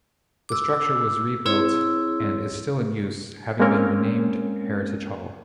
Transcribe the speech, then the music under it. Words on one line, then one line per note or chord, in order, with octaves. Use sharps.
The structure was rebuilt and is still in use, having been renamed Heritage Hall.
D6 E6
C4 E4 G#4 C#5
G#3 A#3 C4 C#4 A#4 C#5